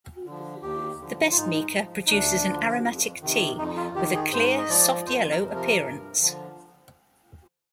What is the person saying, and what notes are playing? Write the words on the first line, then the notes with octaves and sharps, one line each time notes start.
The best Mecha produces an aromatic tea with a clear, soft yellow appearance.
D3 F3
D#2 G4
D3 F3
F4
G#2 D#4
F3
D#4
D2 D4
D3 F3
F2
C3 D#3
F2 D#4
F4
D#3 G4
G#4
G#2 C5
D#5
F3 D5
F2 C5
A#4
C3 F3
A#4
G2
D3 F3